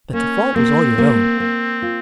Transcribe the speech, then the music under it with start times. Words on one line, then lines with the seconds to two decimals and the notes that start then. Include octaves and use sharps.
But the fault was all your own.
0.13 A#3 C#4
0.55 A#3 C4
0.98 A#3
1.40 A#3
1.82 F4